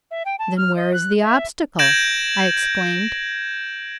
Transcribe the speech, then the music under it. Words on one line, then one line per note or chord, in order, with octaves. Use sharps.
"Then where is the obstacle?" I exclaimed.
E5
G5
A5
F6
D#5
F#6
E5
G6 G#6 A#6 D7 E7 F#7